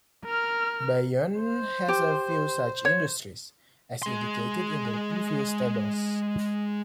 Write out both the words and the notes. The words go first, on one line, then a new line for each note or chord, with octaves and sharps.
Bayonne has few such industries, as indicated in the previous tables.
A#4 F6
C5
G4
C#5
G#3 C6